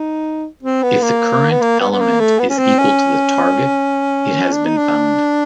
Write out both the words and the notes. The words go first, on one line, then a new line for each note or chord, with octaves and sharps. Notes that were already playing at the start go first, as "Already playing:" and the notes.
If the current element is equal to the target, it has been found.
Already playing: D#4
C4
B3
A#3
B3
A#3
B3
B3
A#3
A3
B3
C#4
C4
C#4
D4
D#4
D4